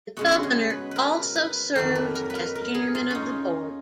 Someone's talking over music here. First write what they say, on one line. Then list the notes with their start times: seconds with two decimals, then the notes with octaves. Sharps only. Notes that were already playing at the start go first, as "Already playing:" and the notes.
The Governor also serves as chairman of the board.
0.17 C#3 G#3 B3 F#4
0.35 F#4
0.43 G#4
0.70 B4
0.91 A#4 B4
1.35 B4
1.75 F2 D#3 F#3 A#3 A#4
1.95 B4
2.15 A#4
2.30 B4
2.35 A#4
2.55 A#4
2.74 G#4
2.95 F4
3.11 C#4 D#4